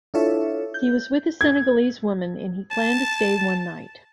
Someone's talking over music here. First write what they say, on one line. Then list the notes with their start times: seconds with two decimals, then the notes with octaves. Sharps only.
He was with a Senegalese woman and he planned to stay one night.
0.14 D4 E4 F4 A4 C#5 E5
0.74 G6
1.41 G#6
2.72 A5